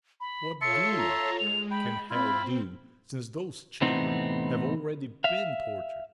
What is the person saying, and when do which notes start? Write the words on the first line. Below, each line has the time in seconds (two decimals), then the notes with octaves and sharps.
What good can hell do, since those children have already been tortured?
0.21 B5
0.61 F4 A4 C#5 E5 A5 C6 C#7
0.98 A#5
1.39 G#3 F7
1.71 G5 B5
2.10 C4 E4 F4 B5
3.81 E2 A2 C3 B3 C4 D#4
5.24 E5 F5